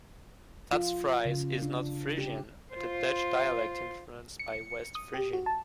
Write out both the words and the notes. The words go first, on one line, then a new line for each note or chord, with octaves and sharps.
Stadsfries is not Frisian, but a Dutch dialect influenced by West Frisian.
F4
C#3
D4
G4
F4 C5
C#7
D#6
G4
F#4
A5